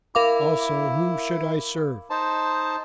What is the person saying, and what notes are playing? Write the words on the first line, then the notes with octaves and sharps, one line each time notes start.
Also whom should I serve?
E4 A#4 F5 D6
D#4 C5 A5